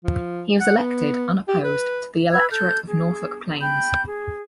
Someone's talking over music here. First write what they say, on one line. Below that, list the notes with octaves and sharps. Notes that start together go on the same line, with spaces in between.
He was elected, unopposed to the electorate of Norfolk Plains.
F3
F#5
B3
G4
B4
B4 B5 E6 G#6
A4 F6 G6
G#4
G5 B5 G6
G#4